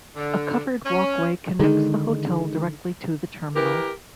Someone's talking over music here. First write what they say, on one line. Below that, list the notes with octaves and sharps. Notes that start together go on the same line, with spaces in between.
A covered walkway connects the hotel directly to the terminal.
D3
C#4
D3 D#3 G#3 D#4
E3 G4 A#4